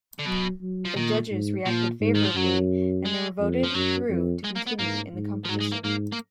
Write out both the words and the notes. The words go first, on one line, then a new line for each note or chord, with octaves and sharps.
The judges reacted favourably and they were voted through to continue in the competition.
D3
B2 F#3
F#3
F3
A#2 D#3
G#2
A#2 F3
G#2
D#3
F3
F#2 F#3
G#3
F2
F3
F#2 F#3
F2
G#3
A#3
B3
G#2 A#3
G#2
F3
G#2 F#3
G#3
A#3
G#2 A#3
A#3